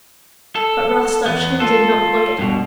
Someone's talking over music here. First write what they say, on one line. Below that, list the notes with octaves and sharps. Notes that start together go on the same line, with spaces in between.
But Rostopchin did not look at him.
A4
E2 B3
F4 A4
G2 B2